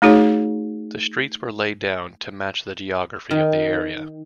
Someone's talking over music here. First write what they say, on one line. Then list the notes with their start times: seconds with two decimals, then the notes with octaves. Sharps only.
The streets were laid down to match the geography of the area.
0.02 A3 D#4 F#4 G#4 C#5
3.31 D#3